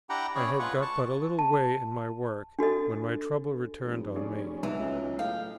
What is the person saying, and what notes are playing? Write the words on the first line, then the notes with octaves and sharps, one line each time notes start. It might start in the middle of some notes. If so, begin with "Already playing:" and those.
I had got but a little way in my work, when my trouble returned on me.
D4 E4 G4 F#5 G5 A#5
C#4 E4 G#4 C#5 D5
G#3 F4 B4 C#5 F#5 C#6
A5 C#6
A5
D4 F#4 A4 D#5
F1
C#4 G#4 D5
B1 G#2 E3
C#2
A2 F5 G5